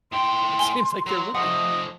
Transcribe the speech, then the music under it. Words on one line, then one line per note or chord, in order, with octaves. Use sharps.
It seems like there would be.
A2 G5 C6
G#5 G7
F#3
F3 A3 D#5 F#5